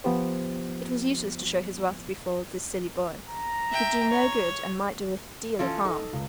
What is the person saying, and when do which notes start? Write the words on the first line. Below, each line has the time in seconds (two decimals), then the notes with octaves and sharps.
It was useless to show his wrath before this silly boy, who could do no good and might do a deal of harm.
0.04 F3 B3 F4 G4 C5
3.28 A#5
3.70 E5 G5
4.09 C#5
5.59 E3 C#4 F4 A4
5.85 D#4 A4
6.13 C#2